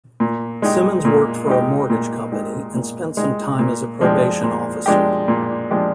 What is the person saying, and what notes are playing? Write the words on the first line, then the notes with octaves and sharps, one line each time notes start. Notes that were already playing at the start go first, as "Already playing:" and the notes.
Simmons worked for a mortgage company and spent some time as a probation officer.
A#2
G#3 D#4 G4
A#2
G#3 D#4 G4
A#2
G#3 D#4 G4
A#2
G#3 D#4 G4
A#2
F3 G#3 D4 G4
A#2
F3 G#3 D4 G4
A#2
F3 G#3 D4 G4